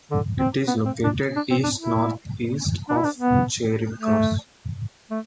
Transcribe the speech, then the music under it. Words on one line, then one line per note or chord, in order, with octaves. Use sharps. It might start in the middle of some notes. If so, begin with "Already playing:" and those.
It is located east north-east of Charing Cross.
D3
C4
B3
C4
D4
D4
C4
D4
E4
D4
E4
D4
B3
A3
A3